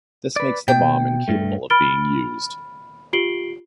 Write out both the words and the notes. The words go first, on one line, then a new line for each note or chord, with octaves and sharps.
This makes the bomb incapable of being used.
B4 D5
B2 G5
G2 A3
B5 F6 A6 D7 G7
F4 G4 C7 D7 F#7 G7